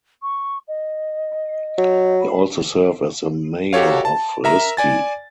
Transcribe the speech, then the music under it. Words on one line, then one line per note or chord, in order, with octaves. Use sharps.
He also serve as the mayor of Risti.
C#6
D#5
F#3
B5
F#4 G4 A4 C#5 F5
A5
A#4 E5 A#5
D5 G#5 A6